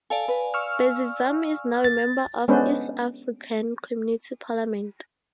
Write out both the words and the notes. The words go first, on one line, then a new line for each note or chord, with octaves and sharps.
Bazivamo is now a member of east african community parliament.
A4 D5 F5 G#5
B4
C#6 E6 F6
A6
G#3 B3 C#4 D4 B4 C5